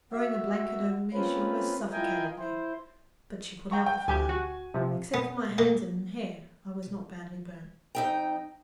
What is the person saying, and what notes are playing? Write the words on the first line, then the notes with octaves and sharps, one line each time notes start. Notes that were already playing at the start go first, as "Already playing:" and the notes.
Throwing a blanket over me, she almost suffocated me, but she put out the fire. Except for my hands and hair I was not badly burned.
F#4 E5
A#3 C4 C#4 F4 B4
E4 F4 A#4 D#5 G5 G#5
E4 C5
G5 A#5 C#6
G5
D2 G4 G#5 G6
F#4
C3 F3
B3
A#3
F2 D#4 G5